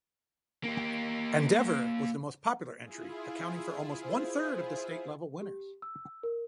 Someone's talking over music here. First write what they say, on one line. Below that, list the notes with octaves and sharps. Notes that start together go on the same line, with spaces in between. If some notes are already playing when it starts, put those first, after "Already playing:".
"Endeavour" was the most popular entry, accounting for almost one-third of the state-level winners.
A#3 G4
E4 F4 G#4
C5
G4
E6
A#4